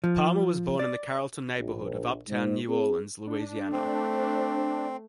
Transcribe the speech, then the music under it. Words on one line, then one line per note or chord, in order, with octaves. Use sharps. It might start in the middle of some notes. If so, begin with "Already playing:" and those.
Palmer was born in the Carrollton neighborhood of uptown New Orleans, Louisiana.
F3
D5
A#1
G#2
C4 G#4
D4
A3 C4 C5